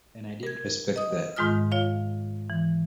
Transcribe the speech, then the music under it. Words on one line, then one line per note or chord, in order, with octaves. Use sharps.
And I didn't respect that.
A#4 G#6
D#5 D#6
G#2 D#3 G#3 F4 D#6 F6
F4 C#5 F5
E3